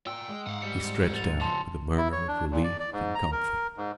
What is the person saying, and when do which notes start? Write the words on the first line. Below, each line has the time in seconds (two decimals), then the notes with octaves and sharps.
He stretched out with a murmur of relief and comfort.
0.07 F4 D5 G5 E6
0.29 G#3
0.47 G#2 F5 F#5
0.62 G3 C#7
1.15 A6 F7
1.41 C#3 F3 A5 C6 F7
1.98 E4
2.12 C#5
2.28 D4
2.51 A#2
2.64 D5
2.80 D5
2.93 G#2
3.15 A#5
3.32 A#4
3.77 G#2